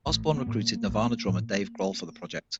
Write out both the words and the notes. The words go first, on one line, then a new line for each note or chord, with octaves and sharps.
Osborne recruited Nirvana drummer Dave Grohl for the project.
A1 A3
B3
A2 A#3
A1
A2